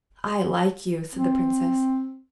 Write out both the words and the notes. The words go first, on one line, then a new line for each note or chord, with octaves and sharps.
'I like you!' said the Princess.
C4